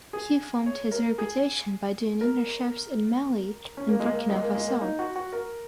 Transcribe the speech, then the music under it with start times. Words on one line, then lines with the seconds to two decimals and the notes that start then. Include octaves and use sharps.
He formed his reputation by doing internships in Mali and Burkina Faso.
0.13 G#4
0.66 C#5
0.91 A#4
1.18 G#4
2.21 A#4
3.77 C#4
3.89 A#3
4.00 G#3
4.12 A#3
4.29 G#3
4.42 A#3
4.55 G#3
4.68 A#3
4.81 D#4
4.99 F#4
5.16 F#4
5.33 A#4